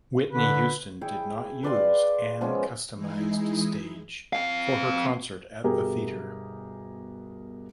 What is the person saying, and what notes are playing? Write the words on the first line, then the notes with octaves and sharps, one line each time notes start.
Whitney Houston did not use an customized stage for her concert at the theater.
D3 B4
E4 G#4 G5 C#6
B4 D5 F5 C6
F3 G#3 B3 C#4
E3 G#3 D#4 E4 G#4
C4 F5
G1 B2 G4 G#4 A#4